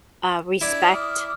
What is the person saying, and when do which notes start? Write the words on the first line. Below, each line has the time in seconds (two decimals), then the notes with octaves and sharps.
uh, respect,
0.61 D4 E4 D5 G#6
0.92 D6 D#6 F6